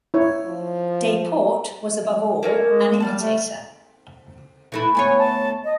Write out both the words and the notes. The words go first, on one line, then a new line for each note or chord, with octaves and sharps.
Desportes was above all an imitator.
E4 C#5
F3
A#3 C#4 A4 A#4
G#3
G3 F5 F#5 A5
A3
E3 A3 E4
D2 B3 C#5 G#5
A5
D#5